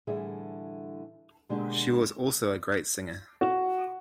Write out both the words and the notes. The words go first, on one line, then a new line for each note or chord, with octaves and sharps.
She was also a great singer.
A2 D3 E3 G3 G#4 E5
B2 D3 G#3 A#3 D4 G4
F#4